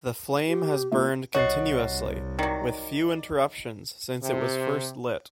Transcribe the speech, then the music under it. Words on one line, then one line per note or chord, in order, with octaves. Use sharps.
The flame has burned continuously with few interruptions since it was first lit.
G4
A#3 F4 E5
C2 F#4 C#5 D#5 A6 C7
D#3 F#3 D5
C3